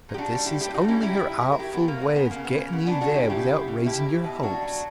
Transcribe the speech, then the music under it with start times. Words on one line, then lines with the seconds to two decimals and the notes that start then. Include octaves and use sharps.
But this is only her artful way of getting 'ee there without raising your hopes.
0.09 A#2
0.14 G4
0.18 D4 F#4
0.28 G3
0.46 G3 E4 G4
0.61 A#2 E4 G4
0.74 D4 F#4
0.84 G3 C#4 E4
1.03 F#3 E4 G4
1.21 F#3
1.40 F#3
1.52 A#4
1.59 F#3 E4 G4
1.74 F#3 B3
1.88 A#3
1.97 A#2 B3
2.16 C#3 B3
2.31 C#3 A#3
2.45 B3
2.54 C#3 A#3
2.72 C#3 B3
2.87 F#3 B3 D4
3.01 D4 F#4
3.10 C#3
3.16 E4 G4
3.30 C#3 E4 G4
3.49 C#3
3.68 C#3
3.86 B2 E4 G4
4.06 F#3
4.24 B2
4.42 F#3 D4 F#4
4.62 F#3